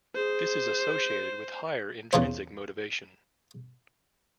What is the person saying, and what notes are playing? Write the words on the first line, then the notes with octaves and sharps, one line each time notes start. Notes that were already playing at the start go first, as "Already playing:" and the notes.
This is associated with higher intrinsic motivation.
G#4 C5
E2 C#3 C5